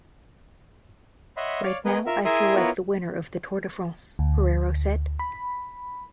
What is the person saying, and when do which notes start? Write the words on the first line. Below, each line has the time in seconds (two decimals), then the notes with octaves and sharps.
"Right now I feel like the winner of the Tour de France", Pereiro said.
1.37 C#5 D#5 E5 F#5 B5 C6
1.63 C#5 D5 F5
1.85 B3 G#4 A#4 B4 D#5
2.06 F4 A#4 E5
2.25 E4 G#4 A#4 E5 C6 D#6
2.55 B3 E4 F4 A#4 B4 C#5
4.19 D2
5.19 B5